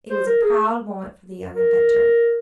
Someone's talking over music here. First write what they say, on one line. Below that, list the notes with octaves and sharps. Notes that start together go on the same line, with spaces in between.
It was a proud moment for the young inventor.
C5
A#4
G#4
A#4